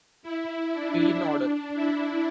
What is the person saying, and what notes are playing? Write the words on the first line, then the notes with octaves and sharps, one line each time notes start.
Be in order.
E4
D4
D4
E4